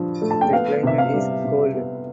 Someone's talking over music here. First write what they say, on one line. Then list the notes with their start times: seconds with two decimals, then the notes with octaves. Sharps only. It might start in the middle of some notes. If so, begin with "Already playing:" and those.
The climate is cold.
Already playing: G2 D3 F3
0.22 A3
0.31 A5
0.41 G5
0.53 B3 F5
0.83 C3 E5
0.98 F5
1.13 G3
1.44 C3
1.74 B3